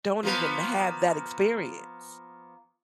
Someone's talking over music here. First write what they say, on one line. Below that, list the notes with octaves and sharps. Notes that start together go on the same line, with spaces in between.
don't even have that experience.
F3 A#3 B3